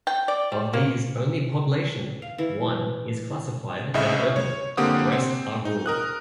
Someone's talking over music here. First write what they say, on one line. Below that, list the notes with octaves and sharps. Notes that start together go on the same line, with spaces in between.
Of these, only Poblacion I is classified as urban and the rest are rural.
G5
D5
G3
A#3
F5
E3
C2 A2 C#3 D#5 E5
C#5
D3 A#3 C4 G4 F#5 D#6
C4
D#4
A#4 D#6 F#6